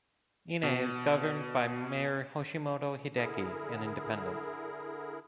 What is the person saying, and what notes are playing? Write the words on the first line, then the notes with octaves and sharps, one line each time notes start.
Ine is governed by mayor Yoshimoto Hideki, an independent.
B2
D3 E4 G#4 A#4